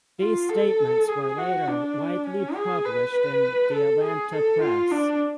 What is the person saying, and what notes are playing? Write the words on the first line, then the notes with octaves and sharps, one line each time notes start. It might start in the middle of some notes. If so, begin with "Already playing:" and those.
These statements were later widely published in the Atlanta press.
F4
A4
G#4
F#4
D4
C#4
G#4
B4
A4
G#4
A4
F4
D4